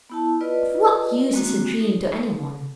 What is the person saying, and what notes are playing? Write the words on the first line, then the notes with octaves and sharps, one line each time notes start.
Of what use is a dream to any one?
B3 E4 A5
F4 B4 D5 D#5
G#3 A#3 C4 D4 F#4
D#4 A4